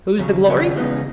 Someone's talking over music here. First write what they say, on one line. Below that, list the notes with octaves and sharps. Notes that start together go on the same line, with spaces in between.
Whose the glory?
D#2 C#3 F#3 C#4
D#2 C#3 F#3 C#4
C#2 C#3 E3 B3 D#4